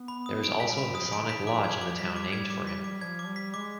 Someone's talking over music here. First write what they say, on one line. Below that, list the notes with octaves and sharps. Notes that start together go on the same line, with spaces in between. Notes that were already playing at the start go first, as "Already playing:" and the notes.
There is also a Masonic lodge in the town named for him.
Already playing: B3
B5
D#6
G#3 D7
B6
G3
B5
F3 D#6
D7
D3
B6
F3 D6
G#6
F3
D6
G3 B6
D6
G#6
D6
B6
D6
G3
F3 G#6
D6
G3
B6
G#3 D6